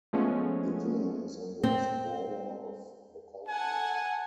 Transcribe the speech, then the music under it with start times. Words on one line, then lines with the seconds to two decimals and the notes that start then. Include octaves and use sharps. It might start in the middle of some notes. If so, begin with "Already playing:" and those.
The town is on the west border of the county.
0.13 F3 G#3 A3 B3 C#4
1.63 C4
3.48 A4 F#5 G#5 A5